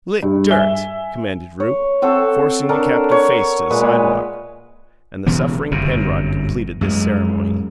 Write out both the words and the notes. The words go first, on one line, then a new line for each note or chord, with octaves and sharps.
"Lick dirt," commanded Rupe, forcing the captive's face to the sidewalk; and the suffering Penrod completed this ceremony.
G2
E5 G#5 G7
C#5
C4 F#4 A4
D4 A4 A#4 A5
C#5
A#2 G#3 B4
E1 C#3 E3 B3
G1 F#2 C3
F#2 G#3